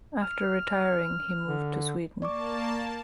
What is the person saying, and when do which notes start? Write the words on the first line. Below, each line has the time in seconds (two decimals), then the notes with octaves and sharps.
After retiring he moved to Sweden.
0.23 F6
1.46 D3
2.22 A#3 D5 A5 C#6 D6